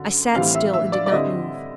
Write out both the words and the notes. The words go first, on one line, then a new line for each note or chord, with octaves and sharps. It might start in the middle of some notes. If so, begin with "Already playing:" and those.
I sat still and did not move.
Already playing: F#2 D3
A2 E3 G3 C4 F5
E5
E5
D5
D5
D3 G3 C4 E4 D#5